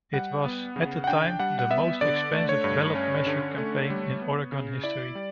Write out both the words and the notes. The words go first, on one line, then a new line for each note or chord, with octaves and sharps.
It was, at the time, the most expensive ballot measure campaign in Oregon history.
G3 F#5
B3
C#3
F#5
D4 G5
G3 F#5
F#5
B3 E5
D3 D5
A3
C#5
G2
C#4
D3
A3
G3
B3
C#3
E4 D5
G3